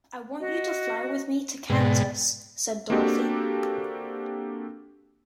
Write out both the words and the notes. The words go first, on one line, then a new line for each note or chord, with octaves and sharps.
"I want you to fly with me to Kansas," said Dorothy.
F#4 D#5
G#2 B2 D5 G5
A#3 C4 D4 F#4 G4 A4